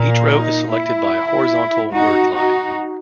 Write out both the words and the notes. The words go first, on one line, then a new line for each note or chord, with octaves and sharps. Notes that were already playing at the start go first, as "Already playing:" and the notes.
Each row is selected by a horizontal "word line".
Already playing: A#2 A#3
D#4
E4
D#4 F#4
D#4 F#4